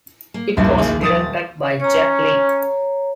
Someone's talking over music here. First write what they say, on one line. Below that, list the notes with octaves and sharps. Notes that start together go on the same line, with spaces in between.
It was directed by Jack Lee.
A#3
D1 A#1 D#2 G3 A#3 D4
A#3 G#4
D#1 F3 D#6 A6
C#4 C#5 A#5